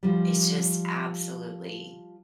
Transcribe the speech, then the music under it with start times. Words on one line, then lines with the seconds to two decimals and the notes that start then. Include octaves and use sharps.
It's just absolutely
0.03 F3 G3